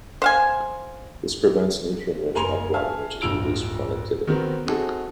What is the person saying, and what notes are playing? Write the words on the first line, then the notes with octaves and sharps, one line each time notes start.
This prevents nutrient-rich upwelling which has reduced productivity.
C5 F5 G#5
F#1 A#4 G#5 A#5 C6 F7
E5 F5 G#5 A5 F6
D1 G1 F3 E6 D7 F7
D#3 B3 C4 F#4 A#4
C4 D#4 F#4 G#4 A4